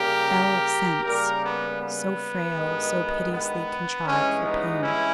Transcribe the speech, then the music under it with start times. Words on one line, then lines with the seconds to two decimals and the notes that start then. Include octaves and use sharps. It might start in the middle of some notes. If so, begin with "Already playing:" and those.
Shell of sense So frail, so piteously contrived for pain.
Already playing: C#3 G3 A#3 G4 A#4
1.03 C#3 G3 A#3 G4 A#4
1.42 B3
1.78 B3
2.54 G2 D#3 G#3
3.30 B3
4.05 G2 E3 G#3 C#4
4.43 B3 D#4
4.80 C#4 E4